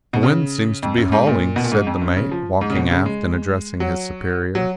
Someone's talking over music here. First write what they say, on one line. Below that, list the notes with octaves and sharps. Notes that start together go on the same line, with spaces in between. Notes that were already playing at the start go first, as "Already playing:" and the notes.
"THE Wind seems to be hauling," said the mate, walking aft, and addressing his superior.
B2
C#3
F2
F#2
G#2
A#2
B2
A#2
G#2
F2
F#2
C#3
F3
G#2
C#3
B2
C#3
G#3
F#3
F#3